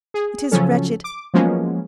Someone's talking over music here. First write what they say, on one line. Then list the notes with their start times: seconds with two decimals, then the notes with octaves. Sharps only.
It is wretched.
0.14 G#4
0.51 C#3 F3 F#3 C#4 A4
1.04 D6
1.34 F3 F#3 G#3 A#3 B3 C#4